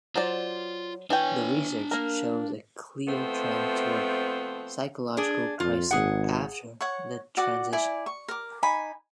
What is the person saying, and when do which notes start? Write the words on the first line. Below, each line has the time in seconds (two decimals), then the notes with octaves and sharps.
The research showed a clear trend towards psychological pricing after the transition.
0.16 F#3 F4 C5 D5
1.10 E3 D4 C#5 G5 G#5
1.91 A#3 A#4
3.08 F3 A3 B3 C4
5.17 D4 G#4
5.60 F2 F4
5.91 G#1 G#4 F#5
6.81 C#5 F#5 C#6
7.37 F#4 D5 F#5 D6
7.73 E4 D5 G#5
8.06 C#6
8.28 A#4 D6
8.63 D#4 G#5 B5